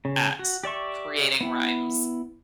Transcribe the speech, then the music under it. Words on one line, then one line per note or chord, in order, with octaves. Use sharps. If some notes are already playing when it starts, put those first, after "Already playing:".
at creating rhymes.
C#3
F#4
G4 D5 E5 C#6
B3 E4